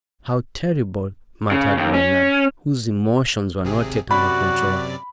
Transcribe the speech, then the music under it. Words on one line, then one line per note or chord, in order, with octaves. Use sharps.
"How terrible!" muttered Bernard, whose emotions were not yet under control.
C#3
D#2
C#4
G#1 C3 G#4
F#2 C3 F#4 D5 B5